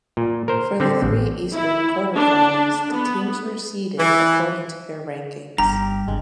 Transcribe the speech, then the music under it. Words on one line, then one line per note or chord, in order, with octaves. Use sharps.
For the three eastern Quarterfinals the teams were seeded according to their rankings.
A#2
A#4 C5
D3 C4
A1
E4
D4
B3
E3
G1 G2 G4 A#5
G#1 D3 G#3